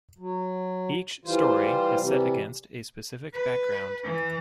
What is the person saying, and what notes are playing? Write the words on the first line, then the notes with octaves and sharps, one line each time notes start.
Each story is set against a specific background.
F#3
E3 G3 F4 C5
C3 E3 G3
B4
E3